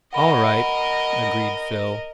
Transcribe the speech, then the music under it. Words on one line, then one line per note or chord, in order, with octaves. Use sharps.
"All right," agreed Phil.
A#4 D#5 F#5 B5